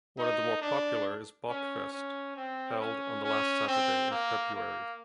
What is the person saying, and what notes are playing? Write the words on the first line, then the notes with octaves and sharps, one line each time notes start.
One of the more popular is Bockfest, held on the last Saturday in February.
D#4
D4
C#4
C#4
C4
C#4
C#4
C4
A#3
A#3